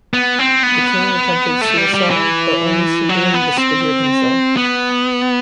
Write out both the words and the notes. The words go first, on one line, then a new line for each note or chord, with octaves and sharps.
The killer attempted suicide, but only severely disfigured himself.
B3
C4
B3
A3
G3
G3
E3
F#3
B3
C4
B3